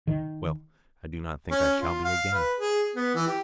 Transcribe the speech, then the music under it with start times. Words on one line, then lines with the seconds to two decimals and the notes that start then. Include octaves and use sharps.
Well, I do not think I shall be again.
0.07 D#3
1.51 C#4
1.80 F4
2.05 F5
2.34 B4
2.59 G#4
2.96 B3
3.15 E3
3.27 G4